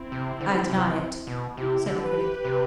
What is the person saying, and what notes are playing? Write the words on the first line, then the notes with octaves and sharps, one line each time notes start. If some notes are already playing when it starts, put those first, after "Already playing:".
"I deny it," said the Critic.
Already playing: C4 E4
C3
D3
C3
B2
C3 E4 G4
D3
G4 B4
C3